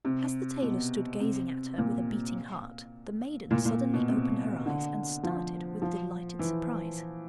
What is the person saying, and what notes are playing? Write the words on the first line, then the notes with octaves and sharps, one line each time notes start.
As the tailor stood gazing at her with a beating heart, the maiden suddenly opened her eyes, and started with delighted surprise.
C3
B2
C3
A#2
A#2
A#2
B2
C3
D3
F3
F3
E3